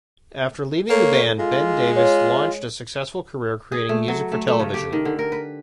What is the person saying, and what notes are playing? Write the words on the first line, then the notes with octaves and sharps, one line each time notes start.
After leaving the band, Ben Davis launched a successful career creating music for television.
A#3 A4 C#5
G#3 F4
F4 C#5
G#4
A3
F#3
A3
A3
C#3
G4
D#3
D3
A#4
B4